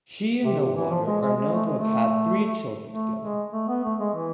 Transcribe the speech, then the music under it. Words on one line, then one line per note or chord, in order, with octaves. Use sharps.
She and No Water are known to have had three children together.
C3
C3
E3
F3
G#3
G#3
G#3
A3
G#3
A3
A3
G#3
A3
B3
A3
G#3
E3